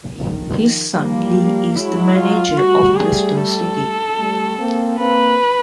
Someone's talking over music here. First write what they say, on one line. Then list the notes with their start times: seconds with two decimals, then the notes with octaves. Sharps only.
His son Lee is the manager of Bristol City.
0.14 D#3 F3
0.95 F3 G3 A#3
1.76 F#3 G#3 E4
2.16 F4
2.56 G3 A3 F#4
2.97 G#4
3.37 A4
4.18 G3 A3
4.59 A#3 C4
4.99 A#3 C4 B4